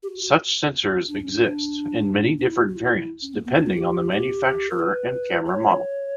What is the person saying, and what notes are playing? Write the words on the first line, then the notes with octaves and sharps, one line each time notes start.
Such sensors exist in many different variants depending on the manufacturer and camera model.
G4
F#4
F#4
D4
C#4
D4
D4
D4
E4
G4
F#4
E4
C#4
A#3
B3
D4
F#4
G4
G4
A#4
B4
C#5